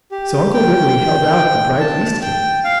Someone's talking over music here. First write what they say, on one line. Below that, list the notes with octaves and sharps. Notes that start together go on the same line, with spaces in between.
So Uncle Wiggily held out the bright yeast cake.
G4
G5
A5
G5
F5